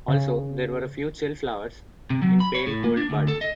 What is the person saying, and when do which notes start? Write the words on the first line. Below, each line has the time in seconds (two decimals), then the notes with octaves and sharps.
Also, there were a few chill flowers, in pale cold bud.
0.08 C#3
2.10 C3
2.22 F#3
2.40 B5
2.55 C#5
2.66 A2
2.84 A#3
2.97 D4
3.10 D2
3.28 A4
3.41 D#5